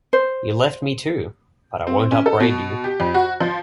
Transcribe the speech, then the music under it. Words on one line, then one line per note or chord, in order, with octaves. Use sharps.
You left me too: but I won’t upbraid you!
C5
C4
C#4
A4
B2
G4
F2
F#4
F3